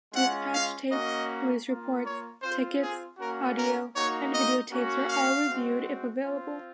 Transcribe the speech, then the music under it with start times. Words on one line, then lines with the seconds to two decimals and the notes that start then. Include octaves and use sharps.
Dispatch tapes, police reports, tickets, audio, and videotapes are all reviewed if available.
0.14 G#3 C#4 F4 F#5
0.53 F5
0.90 A#3 C#4 F#4 D#5
1.66 A#3 F4
2.05 C#5
2.42 C4 F4 C5
2.80 G#4
3.18 A#3 C#4 F#4 A#4
3.57 A#4
3.94 A#3 D#4 F#4 C#5
4.32 D#5
4.71 A#3 C#4 F#4
5.09 F5
5.46 G#3 C4 F#4
6.22 F4
6.27 C4